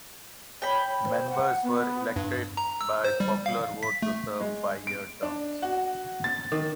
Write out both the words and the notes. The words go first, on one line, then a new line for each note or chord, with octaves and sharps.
Members were elected by popular vote to serve five-year terms.
C#5 G5 B5
C5
F#5
B3
G2
A#5
E6
C5
G3
F5
B6
A3
G#3
D7
D4
F#4
A6
D#3